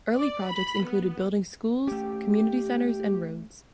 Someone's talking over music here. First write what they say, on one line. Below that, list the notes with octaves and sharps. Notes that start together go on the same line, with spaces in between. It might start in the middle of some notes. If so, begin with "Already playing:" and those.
Early projects included building schools, community centers, and roads.
D5
B5
B3
A3 C#4 G4